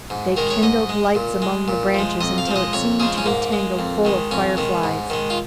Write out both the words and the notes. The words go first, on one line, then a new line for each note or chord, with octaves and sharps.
They kindled lights among the branches until it seemed to be tangled full of fire-flies.
G#2
D#3 G#3 A#4
C#5
G#2 D#5
G#3
A#2
G#3
A#2
F3 G#3
F2 D#5
F5
F3 G#3
D#5
F2 C#5
C#3 F3 G#3 G#4
C#4
G#2 A#3
G#3
F2
D#3 G#3
F2 C#4
D#3 G#3
G#2
D#3 G#3
F4